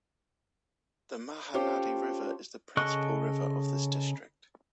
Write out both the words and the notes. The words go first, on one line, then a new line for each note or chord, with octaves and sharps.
The Mahanadi River is the principal river of this district.
C#4 F4 G4 A4 C5
C#3 A4 D#5 C#6 F#6